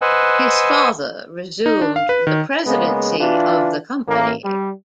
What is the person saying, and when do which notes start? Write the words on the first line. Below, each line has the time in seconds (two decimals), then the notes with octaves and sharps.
His father resumed the presidency of the company.
0.02 B4 C5 D#5 F#5 G#5 E6
1.66 D#4
1.81 D4
1.96 F5
2.09 B4
2.27 D#3
2.66 C#3 G#3 A#3 B3
3.19 E3 D4 F4
4.07 A1 A#3
4.44 G3